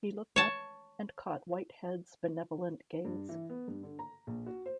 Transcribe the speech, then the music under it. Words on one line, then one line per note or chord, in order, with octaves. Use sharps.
He looked up, and caught Whitehead's benevolent gaze.
C#5 A5
G2
E3
B3
G2
D3
A#5
A#1
F#4
C5